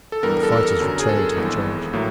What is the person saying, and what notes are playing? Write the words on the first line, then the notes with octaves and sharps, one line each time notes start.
The fighters returned to the charge.
A4
G2 E3 G3 B3 A#4
A4
A#4
F#2 D3 F#3 B3
G#4
A4
G#1 G2 E3 G#3 B3
A2 F#3 A#3